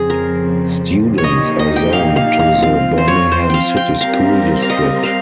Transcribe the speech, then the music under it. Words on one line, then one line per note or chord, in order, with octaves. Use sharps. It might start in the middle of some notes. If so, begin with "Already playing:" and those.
Students are zoned to the Birmingham City School District.
Already playing: F2 C#3 F3 C4 G#4
A#4
C#5
A#2 F3 A#3 D#4 G4 D#5
D#5
G5
F5
F5
F5
F3 C4 F4 F5
C5
C#5
C5
F5 G5
G5
G3 C4 G4 A#4 F5
F5
D#5
F5